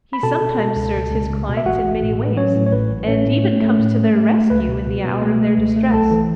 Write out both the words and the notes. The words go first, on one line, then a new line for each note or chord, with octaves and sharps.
He sometimes serves his clients in many ways and even comes to their rescue in the hour of their distress.
B5
B2 A4 A5
B2
B2
C#2
C#2
C#2
C#2
B2
E5
A1 F#4 F#5
A1
A2
A2
B4
F#3 C#4 C#5
A2
C#5
A1 B4
A1
A2 C#4 C#5
A2
A3
A3
A2
A3
A3
A3
C#2 B4
B2
B2
B2
A3
A3
C#2
A3
B1 A4 A5
E3